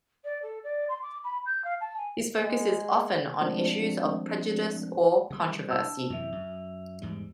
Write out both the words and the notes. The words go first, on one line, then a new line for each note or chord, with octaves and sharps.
His focus is often on issues of prejudice or controversy.
D5
A4
D5
C6
D6
B5
G6
F5
A5
G#5
G#3
F3 G#3 A3 C4 D4
C#3 G3
D4 A5 E6
F#2 C3 E3 E5 F7
F#2
E2 G#2 G3